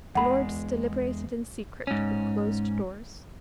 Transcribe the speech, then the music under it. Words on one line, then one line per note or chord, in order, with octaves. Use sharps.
The Lords deliberated in secret, with closed doors.
E2 G#3 F#5 B5
G#2 C#4